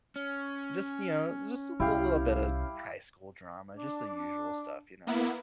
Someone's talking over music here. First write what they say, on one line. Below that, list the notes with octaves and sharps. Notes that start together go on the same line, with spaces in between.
just, you know, just a little bit of high school drama, just the usual stuff, you know.
C#4
C2 E4 G4 F5
D4
A#3 B3 E4